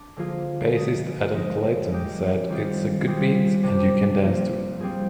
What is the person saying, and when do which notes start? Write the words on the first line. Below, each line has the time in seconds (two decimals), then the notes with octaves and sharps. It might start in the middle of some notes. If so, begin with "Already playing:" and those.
Bassist Adam Clayton said It's a good beat and you can dance to it.
Already playing: D4
0.17 D3 F3 A#3 F4 G#4
0.75 G#3 D#4 G#4
1.33 F3 G#3 D#4 A#4
1.91 G#3 D#4 G4
2.49 D#3 G3 C4 F4 G#4
3.07 G3 C4 F4 G#4
3.63 C3 G3 D4
4.22 F3 A#3 F4
4.81 G3 C4 F4 G#4